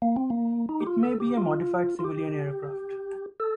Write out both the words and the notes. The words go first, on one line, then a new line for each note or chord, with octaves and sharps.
It may be a modified civilian aircraft.
A#3
C4
A#3
D#4
G4
F4
A4
G4
F4
F4
G4
A4